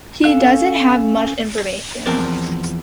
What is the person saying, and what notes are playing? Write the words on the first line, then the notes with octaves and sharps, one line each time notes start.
He doesn't have much information.
C#4 A4 F5 F#6
E2 F3 C4 A#4 C5 D5